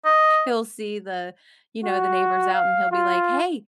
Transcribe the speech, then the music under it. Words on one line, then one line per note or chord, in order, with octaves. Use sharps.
he'll see the you know, the neighbors out, and he'll be like, "Hey,
D#5
F#4
F5
F4